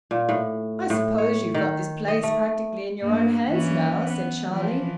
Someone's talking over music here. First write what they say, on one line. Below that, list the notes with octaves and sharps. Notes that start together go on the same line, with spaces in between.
"I suppose you've got this place practically in your own hands now," said Charlie.
A#2
A2
A2
C#5
D#3
D#5
A3
G2 A#3
E3 A#3 C#4
B3
E3 F3